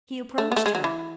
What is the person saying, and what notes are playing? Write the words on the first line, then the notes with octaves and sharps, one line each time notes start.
He approached her.
A3
B3
A3
G#3
F#3
E3